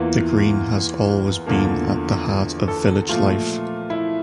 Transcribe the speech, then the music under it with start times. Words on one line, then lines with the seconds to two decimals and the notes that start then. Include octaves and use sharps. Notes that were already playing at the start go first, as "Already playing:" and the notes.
The Green has always been at the heart of village life.
Already playing: E2 E3 A#3 F4
1.46 E2 D3 F3 A#3
2.68 A4
3.09 A#2 F3 A3 F4
3.90 E4